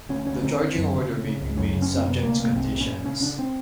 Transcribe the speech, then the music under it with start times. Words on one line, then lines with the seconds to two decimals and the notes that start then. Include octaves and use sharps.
The charging order may be made subject to conditions.
0.09 D2 C#4
0.26 D2 C#4
0.43 D3 C4
0.60 D3
0.75 F#2
0.92 D3
1.08 C#3
1.25 C#3
1.41 C#2
1.57 F#2 C#4
1.74 C#3
1.82 C#4
1.90 F#2
1.97 C4
2.07 C3 B3
2.23 D2 A#3
2.39 C3 A#3
2.56 C2 C4
2.72 A#2
2.81 C#4
2.90 A#2
3.05 C#3 C#4
3.21 C#3 D4
3.39 C4